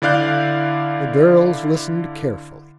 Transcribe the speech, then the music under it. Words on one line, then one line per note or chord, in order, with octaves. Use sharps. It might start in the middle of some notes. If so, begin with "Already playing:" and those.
The girls listened carefully.
D3 E4 D5 F5 F#6 G6